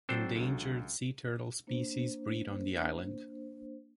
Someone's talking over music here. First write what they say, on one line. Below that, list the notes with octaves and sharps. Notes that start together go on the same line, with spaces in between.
Endangered sea turtle species breed on the island.
F#3 C4 D4 A4 C5
C#2 D3 F#3
A#3 D4 C5